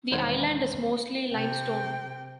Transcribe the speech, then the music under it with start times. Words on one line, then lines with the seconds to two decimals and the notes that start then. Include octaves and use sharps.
The island is mostly limestone.
0.11 E1 D#3 C5 F#5 G#6
1.31 C3 G5